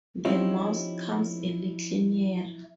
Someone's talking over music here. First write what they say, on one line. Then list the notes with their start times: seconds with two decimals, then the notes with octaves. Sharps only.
The Mouse comes a little nearer.
0.25 F3 C4 C#4 D#4 E4 G4